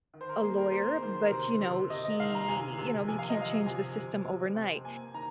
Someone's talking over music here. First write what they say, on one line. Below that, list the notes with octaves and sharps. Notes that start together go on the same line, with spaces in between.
a lawyer, but, you know, he you know, you can't change the system overnight.
D#3
C5
A#4
A#3 G#4
A#4
A#3 C5
D#3 C5
A#4
C3 C5
C3
C3 D#5
D#5
D#3 F5
A#5
C3 G#5
C3
F3 G#5
F5
D#5
F3 F5
C3 G#5
C3
C3
C4
A#3 G#5
D#3 A#5